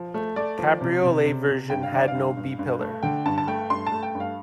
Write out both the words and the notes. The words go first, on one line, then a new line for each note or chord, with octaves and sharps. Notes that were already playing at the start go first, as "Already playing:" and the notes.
Cabriolet version had no B-pillar.
Already playing: F3
A3
A3 D5
F3
C3
C3
C3
C3
G2 G5
F5
D3 D5
F5
G2
G2
G2
A3
D3 G5
G2 A5
A5
A3 G5
G2 C6
A5
A3
G5
G2
F5